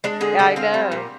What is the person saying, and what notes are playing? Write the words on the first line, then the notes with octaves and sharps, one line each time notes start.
I know.
G#3 D4
D3 G#4
D3 D#5
C4 F5
G3
A#2